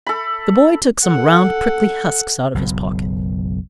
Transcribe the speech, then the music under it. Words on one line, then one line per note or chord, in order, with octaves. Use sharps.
The boy took some round prickly husks out of his pocket.
A4 B5
A4 F#5
F#1 B1